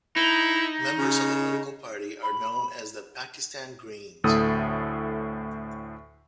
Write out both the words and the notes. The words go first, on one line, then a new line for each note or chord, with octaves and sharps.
Members of the political party are known as the "Pakistan Greens".
D#4 E4
C#3
B5
D2 A2 A4 D#6